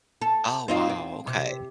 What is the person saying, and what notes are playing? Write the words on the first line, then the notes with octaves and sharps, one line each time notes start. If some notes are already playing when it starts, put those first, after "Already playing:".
Ah, wow, okay.
A4
C4 D#4 F4
C4
C3